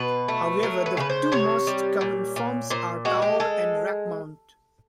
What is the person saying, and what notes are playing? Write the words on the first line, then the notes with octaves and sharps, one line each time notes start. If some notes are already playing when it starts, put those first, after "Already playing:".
However, the two most common forms are tower and rack-mount.
Already playing: B2 B4
A3
F#3 A#4
B4
C#3 B4
C5
C3 C#5
G3
A#2
A#2
A#2 C5
G#3 F#4
G4
G#3 A4